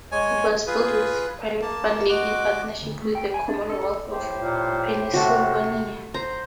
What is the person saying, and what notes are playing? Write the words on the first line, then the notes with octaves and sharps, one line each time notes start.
It was built with private funding in partnership with the Commonwealth of Pennsylvania.
G#3 C#5 G#5
F4 G#4 B4
A#3 A5
G#3 F#4 D6
D2
A3
G5
G#5
D4
A4
A2 G4 C5
A#2
C3 A3 F#4
C5 A#5